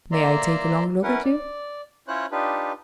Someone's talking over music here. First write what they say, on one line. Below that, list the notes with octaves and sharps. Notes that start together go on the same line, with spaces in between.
"May I take a long look at you?"
A#3 D5 E5 A#5 C6
C#4 E4 A#4 B4 F#5
D5
C#4 E4 F4 C5 C#5 F#6
D4 D#4 F4 G4 B4